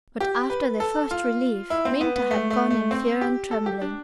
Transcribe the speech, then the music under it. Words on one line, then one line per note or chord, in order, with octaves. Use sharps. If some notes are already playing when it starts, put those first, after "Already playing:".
But after the first relief Minta had gone in fear and trembling.
G4
B4
A4
F4
E4
C4
B3
B3
A3
A3
A3
C4
G4
A4
G4
D4